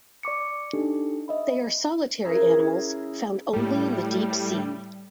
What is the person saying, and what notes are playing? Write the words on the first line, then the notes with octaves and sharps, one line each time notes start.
They are solitary animals, found only in the deep sea.
D5 C#6 D6 C#7
D4 D#4 G4 A4
D#5 E5 B5
C#3 E4 G#4 A#4
A2 G3